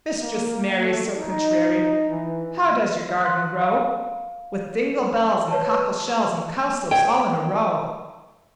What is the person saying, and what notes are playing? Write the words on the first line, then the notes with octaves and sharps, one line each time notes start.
"Mistress Mary, so contrary, How does your garden grow? With dingle-bells and cockle-shells And cowslips all in a row!"
A#3
A3
D#4
E3
C6 F#6
F5
B4 C#5 A5
C#5 G5